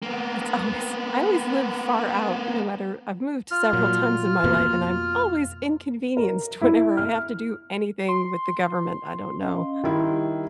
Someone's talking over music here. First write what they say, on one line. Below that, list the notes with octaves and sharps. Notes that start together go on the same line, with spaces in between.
it's always I always live far out no matter I've moved several times in my life, and I'm always inconvenienced whenever I have to do anything with the government. I don't know.
A#3 B3
F4 F6
A#2 F#3
F2 B2 A#3
A#4
E4
F6
C6
C#4 D#5 F5
D#3 G3 E4 G4